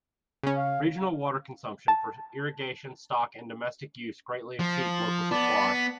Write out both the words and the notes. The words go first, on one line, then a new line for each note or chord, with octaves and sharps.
Regional water consumption for irrigation, stock and domestic use greatly exceeds local supply.
C#3 C#4
F5
A5
F3
B3 D5 A5